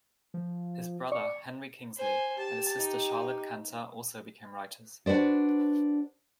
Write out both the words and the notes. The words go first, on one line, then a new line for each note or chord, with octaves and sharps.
His brother Henry Kingsley and his sister Charlotte Chanter also became writers.
F3
D5 C#6
C5 G#5
G4 A5
D#4
D4 F#4 B4 C5 D5